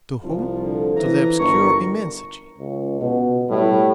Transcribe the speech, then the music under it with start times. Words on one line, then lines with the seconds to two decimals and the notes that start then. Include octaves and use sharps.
To whom? To the obscure immensity.
0.23 C2 F3
0.62 D3
0.96 E3 A#5
1.39 G1 A#4 C#6
2.58 C#2
3.01 B2
3.50 A2 G3